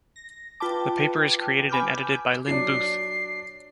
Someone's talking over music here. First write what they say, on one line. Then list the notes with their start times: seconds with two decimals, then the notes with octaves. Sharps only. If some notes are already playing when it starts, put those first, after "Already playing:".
The paper is created and edited by Lynn Buth.
0.16 A#6
0.60 F4 B4 G5 A5 D6
1.69 G#5 B5 D6 F6 G6
2.48 F#3 D4 C7